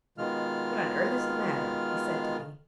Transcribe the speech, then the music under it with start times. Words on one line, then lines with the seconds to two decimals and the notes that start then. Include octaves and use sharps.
'What on earth is the matter?' he said to me.
0.18 B2 D#3 G#3 F4 F6